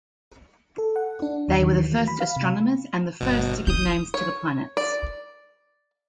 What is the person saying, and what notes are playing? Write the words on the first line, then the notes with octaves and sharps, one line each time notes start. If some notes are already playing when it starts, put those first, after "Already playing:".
They were the first astronomers and the first to give names to the planets.
A4
F#5
D4
D#2
D#3
E3
F#3
B5
F5
C3
G1 B2
E4 D#6 G6
C#5
D5